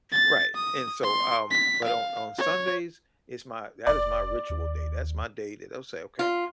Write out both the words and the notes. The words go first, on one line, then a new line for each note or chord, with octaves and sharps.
Right and so, um, but on on Sundays, it's my that is my ritual day, that's my day that I'll say, "Okay,
A6
D#6
C6
B6
F5
C#5
F1 D5
D#2
F4